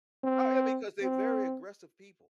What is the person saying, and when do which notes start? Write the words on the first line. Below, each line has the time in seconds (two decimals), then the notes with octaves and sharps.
however because they're very aggressive people.
0.24 C4
1.02 C4